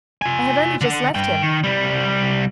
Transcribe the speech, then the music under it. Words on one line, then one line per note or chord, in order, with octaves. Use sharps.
"I have only just left him."
F4 G#5
D3 F#5
G2 G5
D#3
C2 G3